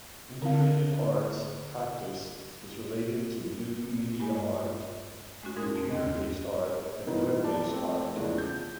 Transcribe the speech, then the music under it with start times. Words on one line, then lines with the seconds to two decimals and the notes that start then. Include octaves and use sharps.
Integrated arts practice is related to new media art, computer-based art, and web-based art.
0.42 D3 C4 F5
4.20 G2 G#3 G4 G#5
5.43 G#3 A3 C#4 F#4
5.56 G#2 D#4 A#4 D#6 G#6
5.75 F2
5.90 D#2 C4 D#5
7.06 B2 E3 B3 D#4 F4
7.44 D5 A5 D6
7.69 A3 C4
8.17 E2 C#3 E3 F3 G#3 D4
8.38 G6